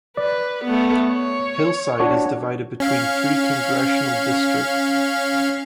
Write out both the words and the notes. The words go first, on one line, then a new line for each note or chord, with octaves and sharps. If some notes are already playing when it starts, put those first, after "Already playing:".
Hillside is divided between three congressional districts.
B4 D5
A3 B3
C#5
D4 F#4 C#5
C#4 F5